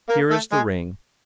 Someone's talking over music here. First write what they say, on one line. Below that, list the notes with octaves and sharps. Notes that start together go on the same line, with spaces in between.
Here is the ring.
A#3 A#4
A3 A4
G#3 G#4